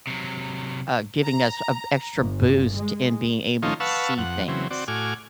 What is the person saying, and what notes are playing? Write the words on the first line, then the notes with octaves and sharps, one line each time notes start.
uh, giving us a extra boost in being able to see things.
C3 F#3
A#5
G1
G#3
D#3 F3 A3 C#4 D#4 F4
B4 F5 F#5 A5 C#6 E6
F2 F#5
C#3 E3 F#3 C4
C4 F#4 D5
A2 F#4 G#5 D6 F6